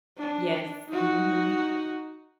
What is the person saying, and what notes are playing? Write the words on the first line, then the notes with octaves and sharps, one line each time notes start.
Yes, mhm.
D4
D#4 F#4